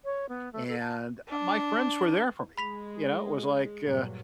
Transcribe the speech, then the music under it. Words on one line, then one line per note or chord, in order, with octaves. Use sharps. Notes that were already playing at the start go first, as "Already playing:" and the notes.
and, uh, my friends were there for me, you know, it was like, uh,
C#5
B3
A3
A4
A5
D4
G#3 B5 B6 F7
G2 A#2 F#3